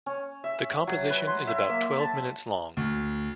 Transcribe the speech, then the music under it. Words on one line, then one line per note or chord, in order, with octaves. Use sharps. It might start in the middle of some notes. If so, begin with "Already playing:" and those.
The composition is about twelve minutes long.
C#4
E5
F#3
B4
C6
E5
A#3
A5
D2